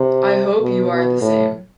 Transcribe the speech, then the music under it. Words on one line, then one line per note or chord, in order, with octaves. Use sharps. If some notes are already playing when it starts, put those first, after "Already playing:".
I hope you are the same.
Already playing: C3
B2
B2
A2